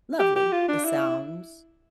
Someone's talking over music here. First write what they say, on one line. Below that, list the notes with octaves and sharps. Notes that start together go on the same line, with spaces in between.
lovely, it sounds
G4
G4
F4
D4
E4